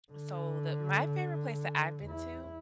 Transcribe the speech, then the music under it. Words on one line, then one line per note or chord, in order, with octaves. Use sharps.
so the my favorite place that I've been to,
D3
E2 E4